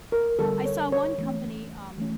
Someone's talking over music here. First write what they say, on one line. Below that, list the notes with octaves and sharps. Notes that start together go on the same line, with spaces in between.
I saw one company, um,
A#4
D3 G3 B3 A4
C#5
C#5
E3 A3 C#4
E3 A3 C#4